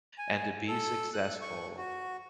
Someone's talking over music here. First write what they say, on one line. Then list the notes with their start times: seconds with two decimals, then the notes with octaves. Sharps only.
and to be successful
0.18 G#5
0.68 A4
1.13 F#6
1.41 C#6
1.77 F#4